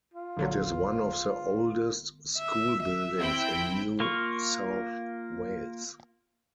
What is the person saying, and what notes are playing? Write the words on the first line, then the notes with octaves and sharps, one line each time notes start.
It is one of the oldest school buildings in New South Wales.
F4
A#1 D3 F#3
E5
E5
C4 E4 G5
A#3 F4 C#6